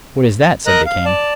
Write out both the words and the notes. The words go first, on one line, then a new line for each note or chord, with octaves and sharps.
"What is that?" said the king.
A#4 D#5 A#5 F#6
F5
D5 A5